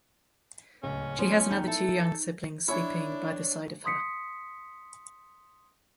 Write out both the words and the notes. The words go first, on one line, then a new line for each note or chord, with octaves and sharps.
She has another two young siblings sleeping by the side of her.
D1 C#2 C#4
F3 B3 C#5
D#2 D#3 D#4
E4 A4
D4 E4 C#5
C6 D#6 B6 C#7